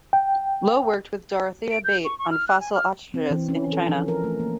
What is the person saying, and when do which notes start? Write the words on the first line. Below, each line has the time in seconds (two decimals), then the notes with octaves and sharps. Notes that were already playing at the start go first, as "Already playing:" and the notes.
Lowe worked with Dorothea Bate on fossil ostriches in China.
0.13 G5
1.71 D7
1.84 G6
2.05 C#6
2.19 C#6
2.31 F6
2.48 F#6
2.60 G#5
2.75 F6
3.14 C4
3.31 E3
3.49 C#4
3.73 A4
3.89 F3
4.08 A#4
4.24 A3
4.40 A#3